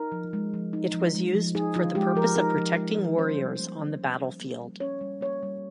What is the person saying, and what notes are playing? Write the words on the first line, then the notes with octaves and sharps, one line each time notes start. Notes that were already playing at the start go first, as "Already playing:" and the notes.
It was used for the purpose of protecting warriors on the battlefield.
Already playing: D#4 A#4
F3
G#3
F3
D#4
F3
G#3
F3
D#4 G#4
F3 F4
G#3 G4
F3 A#4
D#4 A#4
F3
G#3
F3
C#4 C5
G3
A#3
G3
C#4
G3
A#3
G3
C#4 C#5
G3
A#3 C#5
G3